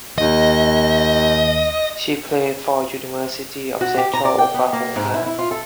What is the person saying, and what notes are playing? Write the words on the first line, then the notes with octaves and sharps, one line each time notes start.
She played for University of Central Oklahoma.
D#2 D#5
F#4
G4
A#5
D5
G5
B3
A#3
G#2
E4
E4
F4
A4